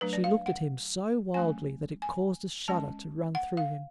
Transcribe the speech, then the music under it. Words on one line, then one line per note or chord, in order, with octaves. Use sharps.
She looked at him so wildly that it caused a shudder to run through him.
F#3 A3 D4 B4
D5
F5
F#5
F#3 A3 C#4 G#5
G#5
G#3 C#4 A5
F#5
F5